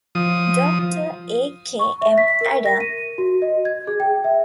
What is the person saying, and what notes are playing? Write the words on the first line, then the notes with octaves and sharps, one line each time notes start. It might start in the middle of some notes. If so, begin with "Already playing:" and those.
Doctor A. K. M. Adam.
F3 D#6
C#6
E5
B6
A#4
A#6
D#7
F#4
D#5
G#6
G#4
G5
E5